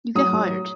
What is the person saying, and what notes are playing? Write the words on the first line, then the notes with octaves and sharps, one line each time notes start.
You get hired.
F#3 D#6
F#3